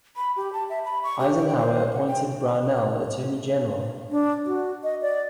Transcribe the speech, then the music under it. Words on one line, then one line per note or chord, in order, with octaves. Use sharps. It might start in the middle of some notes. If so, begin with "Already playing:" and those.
Eisenhower appointed Brownell Attorney General.
B5
G4
A5
E5
B5
C#6
G4
G5
C5
F#5
G5
D4
F#4
D#5
D5